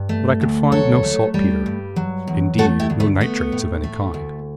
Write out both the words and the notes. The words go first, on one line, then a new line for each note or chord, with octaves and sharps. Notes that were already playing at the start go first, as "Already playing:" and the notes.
But I could find no saltpeter; indeed, no nitrates of any kind.
Already playing: G2
A3
D2
F#3 A4 C#5
A3
G3
G2
F#3
E2
A3 F#4 A4
E4 G4
D2
A3
A3 B3
A2
A3
D2